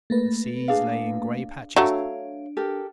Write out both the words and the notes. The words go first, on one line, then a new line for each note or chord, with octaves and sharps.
The seas lay in gray patches.
A3 A#3 B4
D4 G#4 F5
F#3 A3 D4 C#5 F5
G4 A4 A#4